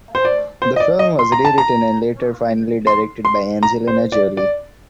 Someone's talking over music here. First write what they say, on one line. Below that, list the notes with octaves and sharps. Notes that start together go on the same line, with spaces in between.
The film was rewritten and later finally directed by Angelina Jolie.
C5
D5
C5
D#5
D5
D#5
C6
A#5
A5
A#5
C6
C6
A#5
C5
D5
D5